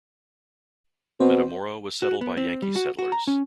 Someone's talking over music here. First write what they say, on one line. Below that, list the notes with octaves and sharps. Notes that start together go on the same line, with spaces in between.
Metamora was settled by Yankee settlers.
B2 C4 C5
F#4
B3
C4
G3
F#4
F#4
A#5
C#4